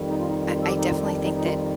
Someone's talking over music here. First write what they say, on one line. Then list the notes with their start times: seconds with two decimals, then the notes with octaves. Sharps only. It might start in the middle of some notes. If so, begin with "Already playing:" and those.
I I definitely think that
Already playing: F2 D#3 G3
0.09 D#4
0.19 F4
0.29 D#4
0.47 F4
0.63 A4
0.67 G4
0.79 D#4
0.86 F4
1.05 D4
1.24 D#4
1.36 D#4
1.44 F4